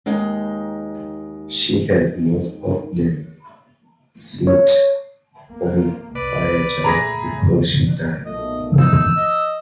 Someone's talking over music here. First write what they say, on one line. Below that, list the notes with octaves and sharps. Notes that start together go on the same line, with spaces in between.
She had most of them set on fire just before she died.
D#2 G#3 D#4 G5
C#5
A#3
C2 B4 D5
A#2 A3 G#4 A#5 B5 A#6
B1 A#2 A3 D#5
F3 D#4 E6
D#5